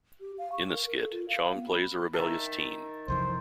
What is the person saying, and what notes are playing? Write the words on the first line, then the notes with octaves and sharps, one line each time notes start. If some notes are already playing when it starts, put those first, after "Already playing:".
In the skit, Chong plays a rebellious teen.
G4
F5
C#6
A#4
A#4
A4
F4
F5
B3
B5
D#3 E5 A5
C2 F2 E3 C5